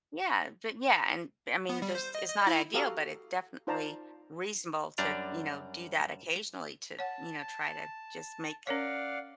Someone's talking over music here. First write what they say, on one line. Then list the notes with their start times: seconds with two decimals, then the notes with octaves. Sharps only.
yeah, but yeah, and, I mean, there's it's not ideal, but it definitely reasonable to, you know, do that occasionally to, you know, try to just make
1.69 B3
1.82 G3
1.95 C5
2.15 D#5
2.28 D#5
2.47 E4
2.74 F#4 G4 A4 F5 A#5 D#6
3.67 D#4 F4 C5 D5 A5 A#5
4.98 F#2 G3 D4 D5 A#5
6.99 C#5 F#5 A5
8.67 C#4 A#4 C#5 D5 F5 F#5